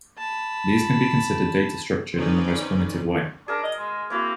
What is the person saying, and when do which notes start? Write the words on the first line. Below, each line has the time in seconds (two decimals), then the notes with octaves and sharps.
These can be considered data-structured, in the most primitive way.
0.18 A5 B5
2.15 C4 C#4 D#4 B4 D5
3.48 D4 G#4 A#4 A#5
3.64 D#5
3.79 G#3
4.10 A#3 C4 E4 F#4